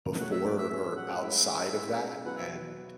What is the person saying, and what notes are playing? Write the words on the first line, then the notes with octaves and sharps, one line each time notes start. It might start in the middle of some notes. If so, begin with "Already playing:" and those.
before or outside of that, and
A2 F#3 A3 C#4 G#4 F#5
E5
D5
E5
A2 F#3 A3 C#4 G#4 E5
F#5
G#3 C#4 E4 B4 E5
G#3 C#4 E4 B4
B2 F#3 B3 E4 B4 F#5
E5